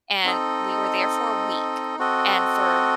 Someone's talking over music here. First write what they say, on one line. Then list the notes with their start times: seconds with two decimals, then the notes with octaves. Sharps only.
and we were there for a week, and for
0.24 C4 D#4 A4 D#5
1.99 C4 F#4 A4 D#5